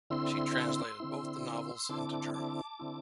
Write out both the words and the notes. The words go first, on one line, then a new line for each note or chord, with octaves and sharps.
She translated both of the novels into German.
D3 C4 E4 C6 E6
D3 C4 E4
D3 C4 E4 A5 D6
A5 D6
D3 C4 E4